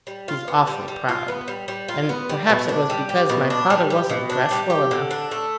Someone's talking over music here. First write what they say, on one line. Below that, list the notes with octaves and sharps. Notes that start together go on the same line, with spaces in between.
He's awfully proud; and perhaps it was because my father wasn't dressed well enough.
G3
F4
B3
G3
G3
F4
B3
G3
G3
F4
B3
G3
B2
D4
G3
G4
B2
D4
G3
G4
B2
D4
G3
G4
D3
D4
A3